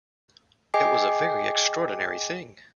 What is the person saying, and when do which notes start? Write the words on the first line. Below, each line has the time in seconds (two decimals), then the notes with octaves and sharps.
It was a very extraordinary thing!
0.74 G#4 D#5 G5 G#5 D6 C7